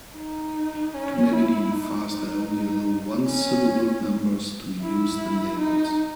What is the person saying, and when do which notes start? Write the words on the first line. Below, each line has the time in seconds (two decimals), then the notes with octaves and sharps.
To make it even faster, I only allow one-syllable numbers to be used in labels.
0.16 D#4
0.94 C#4
1.33 E4
1.71 D#4
3.26 C#4
4.81 E4
5.59 D#4